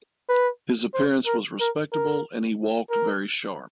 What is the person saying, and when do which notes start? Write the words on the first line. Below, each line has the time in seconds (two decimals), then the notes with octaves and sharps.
His appearance was respectable and he ""walked very sharp"".
0.29 B4
0.94 C5
1.26 A#4
1.60 A#4
1.92 A#4
2.90 A#4